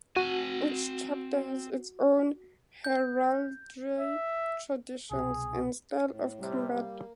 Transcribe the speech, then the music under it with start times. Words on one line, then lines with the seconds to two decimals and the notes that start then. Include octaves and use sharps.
Each Chapter has its own heraldry, traditions, and style of combat.
0.16 C4 F#4 G#5
2.84 G6
3.99 E5
5.11 C2 B2 G#4
6.08 A2
6.39 C3 G3
6.74 G3 A#3